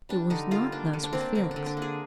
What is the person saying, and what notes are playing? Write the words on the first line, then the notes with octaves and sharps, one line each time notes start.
It was not thus with Felix.
G3 D4
D3 D#4
G3 F4
A#3 D4
D3
D4
A#3 C4
D4
D3 C4
D4
D3
D4
A#3 G#4